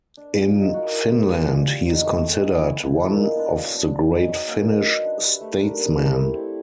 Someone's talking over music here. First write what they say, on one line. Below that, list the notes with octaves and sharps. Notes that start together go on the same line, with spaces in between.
In Finland, he is considered one of the great Finnish statesmen.
D4
F4 G#4
D#4
F#4 A#4
E4
G4 C5
D4
F4 G#4
G3
C4 D#4
A3
C4 D#4 G#4
C#4
E4 G#4
B3
D4 F4 A#4
G#3
B3 D4 F4
F#3
B3 D4
B3
D#4 G#4
F#3
A#3 C#4
D#4
F#4 B4 D#5
D4
G4 B4 E5
A3
D4 G4 A#4
B3
E4 G4 A#4
A3
C4 E4 A4